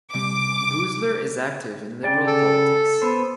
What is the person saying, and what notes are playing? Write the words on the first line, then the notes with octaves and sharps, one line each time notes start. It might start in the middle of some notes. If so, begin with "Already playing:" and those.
Boosler is active in liberal politics.
C3 G3 D6
C#3 D5 G5
A4
B3 C5